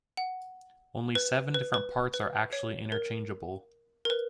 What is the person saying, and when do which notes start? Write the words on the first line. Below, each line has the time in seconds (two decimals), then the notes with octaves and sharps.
Only seven different parts are actually interchangeable.
0.17 F#5
1.15 B4
1.54 B4
1.74 B4
2.14 B4
2.53 C#5
2.92 A#4
4.05 A#4
4.10 B4